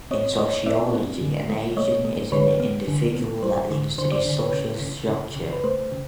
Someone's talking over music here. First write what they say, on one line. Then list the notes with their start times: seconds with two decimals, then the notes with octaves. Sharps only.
In sociology, an agent is an individual that links to the social structure.
0.11 C4 C#5 D#5
0.38 A3 C#5 D#5
0.66 C4 D5 E5
0.94 C4
1.21 D3
1.49 A3
1.77 A3 C#5 D#5
2.05 A3
2.32 D3 B4 C#5
2.60 B3
2.88 D3
3.15 B3
3.43 G3 C5
3.71 D3
3.98 D3 C5
4.12 C5 D5
4.26 D3
4.40 B4 C#5
4.54 C#3
4.81 C#3
5.08 C#3
5.36 C#3
5.53 B4
5.64 A3 C5
5.92 C#3